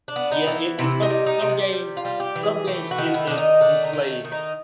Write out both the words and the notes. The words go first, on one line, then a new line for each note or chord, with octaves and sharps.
Yeah, it it's some some games some games, it's it's you play
D4
B3
D#4
E3
C3 E4
D#4
G3
D#4
C3
D4
G3
F4
G3
G4
E3
G#4
A3 G4
F#4
D#3
E4
D#3 D4
D#4
A3 D4
D#4
D#3
D#3
D#4